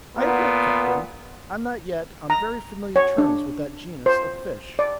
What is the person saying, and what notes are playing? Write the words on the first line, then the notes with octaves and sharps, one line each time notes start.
"I admit, captain, I'm not yet on very familiar terms with that genus of fish."
A#2 B3
A#5
C#5
D4
C5
D5